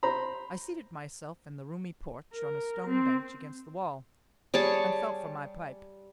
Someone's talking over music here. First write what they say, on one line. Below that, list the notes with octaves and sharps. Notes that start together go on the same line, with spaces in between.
I seated myself in the roomy porch on a stone bench against the wall, and felt for my pipe.
C5 A#5 B5
A#4
C4
G3 G#4 C#5 A5